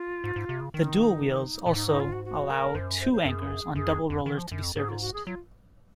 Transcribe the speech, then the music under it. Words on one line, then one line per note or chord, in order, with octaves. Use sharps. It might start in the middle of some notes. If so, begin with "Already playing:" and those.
The dual wheels also allow two anchors on double rollers to be serviced.
Already playing: F4
G#2
G#2
C3
C#3
D#3 D#4
A#2
G#2 D#4
D#4
F4
F#4
F#4
A#4
F#2 C5
C5
C5
F#2 G#4 A#4
F#2 G#4
F2
F2
D#3
F3
F#2
F2
G#2 G#4
F4
F#4
G#4
F#3 F4